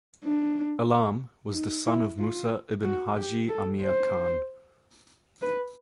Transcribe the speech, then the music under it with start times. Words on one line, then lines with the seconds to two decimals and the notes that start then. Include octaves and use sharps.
Alam was the son of Musa ibn Haji Amir Khan.
0.24 D4
1.53 D#4
1.86 E4
2.19 F4
2.83 F#4
3.16 G4
3.49 A4
3.81 C5
5.42 B4